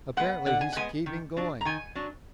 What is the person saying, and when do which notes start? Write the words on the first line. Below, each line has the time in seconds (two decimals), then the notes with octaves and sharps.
Apparently he's keeping going.
0.17 G#3 B3 F#5
0.46 D3 F#5
0.61 G#5
0.72 F#5
0.76 G#3 B3 G#5
1.06 D#3
1.37 F#3 D4
1.61 A#5
1.65 D#3 G#5
1.95 F#3 D4